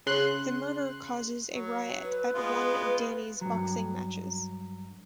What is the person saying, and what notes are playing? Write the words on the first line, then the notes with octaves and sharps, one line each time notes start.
The murder causes a riot at one of Danny's boxing matches.
C#3 C6 F#6
F#3
B4
G#3 B3 F4
G2 F#3